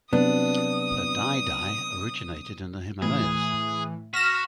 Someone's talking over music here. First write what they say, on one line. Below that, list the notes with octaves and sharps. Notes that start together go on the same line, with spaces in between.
The daidai originated in the Himalayas.
C3 F#3 B3 C4 D4 D#6
A2 E3 G#4
F#4 F6 A#6 B6 E7